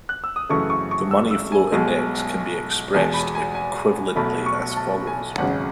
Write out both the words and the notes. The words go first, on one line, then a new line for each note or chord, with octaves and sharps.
The money flow index can be expressed equivalently as follows.
F#6
E6
D#6
F#2 C#3 E3 A3 C#6
C#6
C#6
E6
E6
G#5
B1 B2 G#3
E2 B2 G#3 G#5
B5
G#5
G#5
B1 B2 A3 B5
C#6
A5
G#5
G#1 F#2 C#3 F#5